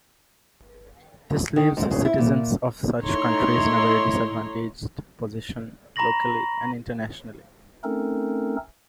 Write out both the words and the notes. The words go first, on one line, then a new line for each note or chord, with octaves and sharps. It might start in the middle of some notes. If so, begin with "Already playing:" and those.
This leaves citizens of such countries in a very disadvantaged position locally and internationally.
D#3
G#2
C#3
E4
A#2
A3 D#4 E4 C#5 A#5 C6
A#5 B5 C#6 A#6 F#7
A3 C4 C#4 D#4 A4 A#4